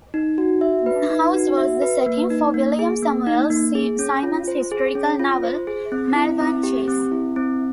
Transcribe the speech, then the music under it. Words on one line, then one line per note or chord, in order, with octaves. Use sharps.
The house was the setting for William Samuel Symonds' historical novel Malvern Chase.
D#4
F#4
E5
B4
D#4
F#4
E5
B4
A#3
D#4
A#3
G#4
A#3
D#4
A#3
G#4
C#4
F4
C5
G#4
C#4
F4
C5
G#4
C4
E4
C4
G4
C4
E4
C4